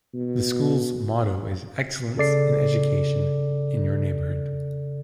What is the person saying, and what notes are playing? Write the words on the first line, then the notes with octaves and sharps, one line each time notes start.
The school's motto is "Excellence in Education, in your Neighborhood".
B2
C#3 A4 D5 C7